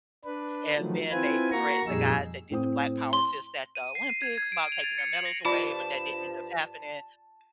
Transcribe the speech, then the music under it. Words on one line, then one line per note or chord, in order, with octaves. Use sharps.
And then they threatened the guys that did the Black Power fist at the Olympics about taking their medals away, but that didn't end up happening.
D4 B4
D#3 F3 F#3 A3
C4 E4 F4 B4 G#5
A#3 F#4 A#5 C#6
F2 A#2 G3 D#4 G#4 E6
A2 C4 D#6
C6
D#7
C7
D#7
G#6
G#6
D7
F7
A6
C#7
F#7
A#6
G2 F3 F4 D5 A5 B5